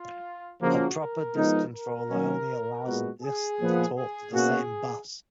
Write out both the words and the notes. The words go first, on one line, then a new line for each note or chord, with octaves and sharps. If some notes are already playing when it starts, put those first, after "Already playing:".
A proper disk controller only allows a "disk" to talk to the same bus.
Already playing: F4
C#3 F3 A#3 F#4
A#4
F3 G#3 B3 D#4
A#4
D#3 F#3 A#3 C#4
A#2 G#3 B3 F#4
G#4
A#2 F3 B3
G#4
B2 A#3 C#4 F#4 G#4